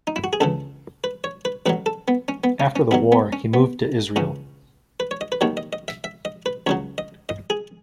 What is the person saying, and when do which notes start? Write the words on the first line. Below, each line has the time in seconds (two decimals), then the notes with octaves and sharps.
After the war he moved to Israel.
0.07 D#4
0.16 E4
0.24 F#4
0.33 G#4
0.41 C#2 C#3 E3 A4
1.04 B4
1.24 C#5
1.45 B4
1.66 A1 A2 F#3 B4
1.86 A4
2.08 B3
2.28 C#4
2.44 B3
2.60 C#4
2.76 C#4
2.91 B1 B2 F#3 B3
3.12 B3
3.33 C#4
3.54 B3
4.16 C#2 C#3 E3 C#4
5.00 B4
5.11 C#5
5.21 D#5
5.32 B4
5.41 D#2 D#3 F#3 C#5
5.57 D#5
5.73 D#5
5.88 E5
6.04 E5
6.25 D#5
6.46 B4
6.67 C#2 C#3 F#3 C#5
6.98 D#5
7.29 D#5
7.50 G#4